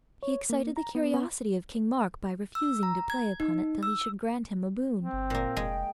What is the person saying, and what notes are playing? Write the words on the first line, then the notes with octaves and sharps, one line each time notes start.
He excited the curiosity of King Mark by refusing to play upon it till he should grant him a boon.
C#5
A#3
A#5
B3
B3
E6
A#5
G#6
D#4
E6
C4
G1
A#2 A#3
F1 G#3 G5